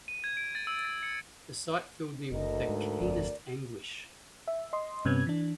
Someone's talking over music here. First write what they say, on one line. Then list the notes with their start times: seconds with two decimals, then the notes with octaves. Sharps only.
The sight filled me with the keenest anguish.
0.08 D#7
0.24 G#6
0.37 D7
0.55 A6
0.67 E6
0.85 A6
1.03 C#7
2.32 F#1 D2 A#4 D#5
2.69 G#2
3.01 G1 F2 D5
4.48 E5
4.73 D#5 C6
5.05 G2 C3 B3 C#4 G#6
5.27 E3 D4